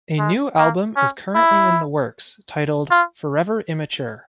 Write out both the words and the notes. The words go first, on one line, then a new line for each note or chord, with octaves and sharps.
A new album is currently in the works titled "Forever Immature".
G#3
A#3
C#4
E4
F4